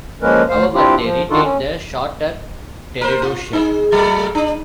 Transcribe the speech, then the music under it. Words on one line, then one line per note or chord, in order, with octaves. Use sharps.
However, they retained the shorter Toledo shell.
F3 G#3 A#3 C#4 A#4 B4
D2 C5 F5
C4 D4 E4 F4 G4
F3
D#3 D4 D#4 F4 F#4 A4
C#4
A#4 C5
F4
D#4 G#4
F#3 A3
D4